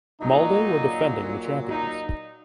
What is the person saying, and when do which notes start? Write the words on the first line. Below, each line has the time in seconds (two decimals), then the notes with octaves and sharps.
Molde were the defending champions.
0.21 A#2 F#3 D#4
1.69 D#4